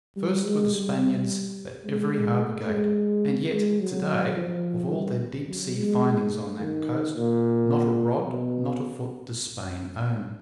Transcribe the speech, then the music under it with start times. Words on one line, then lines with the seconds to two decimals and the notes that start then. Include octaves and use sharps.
First were the Spaniards at every harbour gate; and yet to-day, of all their deep-sea findings on that coast, not a rod, not a foot, does Spain own.
0.16 G3
0.45 G#3
0.73 G3
1.85 G#3
2.13 G#3
2.41 A3
2.68 G#3
3.52 G#3
3.80 F#3
4.37 F3
4.92 G3
5.48 F#3
5.77 G#3
6.05 G#3
6.33 A3
6.60 D#3
7.16 A#2
8.28 B2